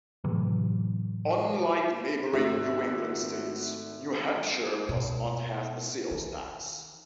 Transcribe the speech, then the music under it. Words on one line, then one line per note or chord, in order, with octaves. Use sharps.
Unlike neighboring New England states New Hampshire does not have a sales tax.
A2 C3 E3 F#3
G#1 A3 F#4 E5
B2
D#3